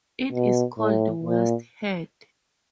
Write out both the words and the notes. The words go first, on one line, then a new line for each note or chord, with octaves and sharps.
It is called West Head.
B2
A2
A#2